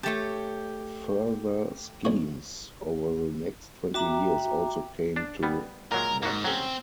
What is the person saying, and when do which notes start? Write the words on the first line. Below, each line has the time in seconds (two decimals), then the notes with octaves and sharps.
Further schemes over the next twenty years also came to nothing.
0.03 A3 G4 C#5 A5
2.05 B1 F#4
3.94 F#4 G4 E5 A#5
5.16 D4 A5
5.43 G3 B3
5.92 A#2 F#3 G#3 A#4
6.23 G#2 A#3 F#4
6.45 F#3 C4 C#4